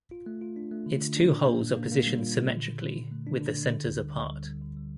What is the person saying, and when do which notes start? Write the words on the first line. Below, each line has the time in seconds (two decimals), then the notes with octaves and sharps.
Its two holes are positioned symmetrically, with the centers apart.
0.11 F4
0.26 A3
0.41 F4
0.56 D4
0.72 A3
0.86 D3
1.01 D3
1.16 D4
1.31 A#2
1.46 A#3
1.61 A#2
1.76 A#3
1.91 A#3
2.06 G3
2.21 F4
2.37 A#2
2.51 D3
2.66 D3
2.81 D3
2.97 D3
3.12 A3
3.27 D4
3.41 D3
3.56 D3
3.71 D3
3.86 D2
4.01 G3
4.16 D2
4.31 G3
4.47 G3
4.62 D3
4.76 G3